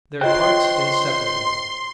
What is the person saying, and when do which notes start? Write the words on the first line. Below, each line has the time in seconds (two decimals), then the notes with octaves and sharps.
Their Parts inseparable.
0.21 F4 C5 C#5 D#5 G5 C6 F#6